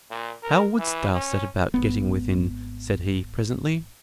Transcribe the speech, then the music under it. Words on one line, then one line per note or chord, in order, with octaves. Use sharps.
"How wouldst thou set about getting within?" said he, presently.
A#2
A#4
E3
C#4
G#1 B3